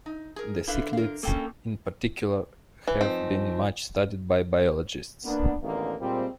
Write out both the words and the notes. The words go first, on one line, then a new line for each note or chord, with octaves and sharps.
The cichlids in particular have been much studied by biologists.
D#4
G#4 A#4
D3 E4 B4 F5
A#4 F5
A#3 C#4 A4 G5
E3
F3 C4 D#4
A#3 B3 D4
A1 E2 D3 D#3 A#3
A#2 G3 G#3 A#3 C4